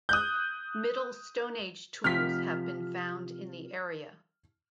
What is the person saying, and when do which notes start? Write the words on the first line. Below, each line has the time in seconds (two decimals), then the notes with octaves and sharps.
Middle stone age tools have been found in the area.
0.09 D#6 F#6 G6
2.04 C3 F3 F6 B6